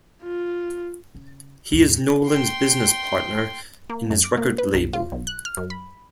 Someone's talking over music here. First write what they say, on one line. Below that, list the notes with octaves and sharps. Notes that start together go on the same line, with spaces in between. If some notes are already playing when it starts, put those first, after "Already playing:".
He is Nolan's business partner in his record label.
F4
C#3
D#2 G#2
G5 C6
A#3
F#2
D6
A#3
B4
B1
F4
B1
F#6
F6
F#2
B5